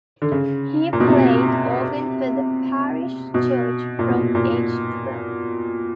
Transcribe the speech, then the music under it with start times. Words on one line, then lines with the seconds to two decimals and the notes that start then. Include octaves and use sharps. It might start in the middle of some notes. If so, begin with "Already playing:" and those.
He played organ for the parish church from age twelve.
0.22 D3
0.32 C#3
0.93 A#2
1.00 B2
1.07 C3
3.34 B2
3.99 A#2
4.10 B2
4.35 A#2